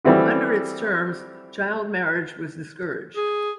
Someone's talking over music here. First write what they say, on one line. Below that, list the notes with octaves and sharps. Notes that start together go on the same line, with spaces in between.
Under its terms child marriage was discouraged.
E3 G3 A3 C4 E4 F#4
G#4